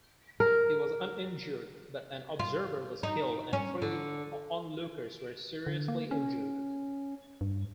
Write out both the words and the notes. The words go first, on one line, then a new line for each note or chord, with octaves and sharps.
He was uninjured but an observer was killed and three onlookers were seriously injured.
A#4
F4
D#4
C#4
D3
D3
A#3
C#4
G2